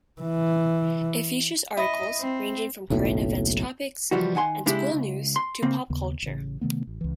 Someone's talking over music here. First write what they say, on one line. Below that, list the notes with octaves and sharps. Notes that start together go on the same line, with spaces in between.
It features articles ranging from current events topics and school news to pop culture.
E3
E4 D#5
C4
F#1 B1 A2
C#2 E3 F3 G3 F#4
D#3 F#5 G#5 C6
C#3 G#3 D4 E4 G4
C#2
C6
C#3 A#3 C4
D#2 C#3 B3
A1 C#3
C3 D#3 A3 B3
A1
C#2 E3